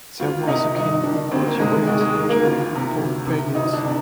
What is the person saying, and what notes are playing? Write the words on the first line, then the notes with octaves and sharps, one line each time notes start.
There was a gain in body weight during both periods.
D2 F4
C3 D#3 D#4
G2 D#4
D#3 D4
D2 C4
A#3
C3 D#3 G#3
G#3
D#2 G#3
G#3
D#3
A#3
D2 F4
C3 D#3
D2
C3 D#3
D2 D#4
D4
C3 D#3